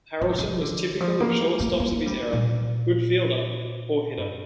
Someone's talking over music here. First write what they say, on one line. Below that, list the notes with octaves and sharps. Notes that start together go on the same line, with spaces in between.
Harrelson was typical of shortstops of his era: good fielder, poor hitter.
F3
D3
F3
D3
F3
A#3
G3
A#3
A#3
G3
A#2
G2